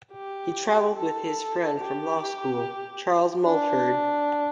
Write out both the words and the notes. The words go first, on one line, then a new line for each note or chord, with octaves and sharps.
He traveled with his friend from law school, Charles Mulford.
G4
A4
G4
D4